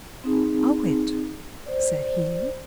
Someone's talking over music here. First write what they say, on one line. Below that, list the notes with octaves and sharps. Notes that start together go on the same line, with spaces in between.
"Owe it?" said he.
C4 D#4 G#4
C5 D5